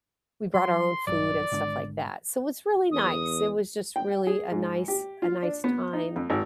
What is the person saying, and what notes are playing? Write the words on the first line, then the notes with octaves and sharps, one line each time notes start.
we brought our own food and stuff like that, so, it was really nice, it was just really a nice a nice time
F#3 C6
A#1 G2 F#3 D5
G#1 G#2 D3
E2 D#6
G5
G#4
G#2
G4
F4
D4
B3
D#4
F2
G#1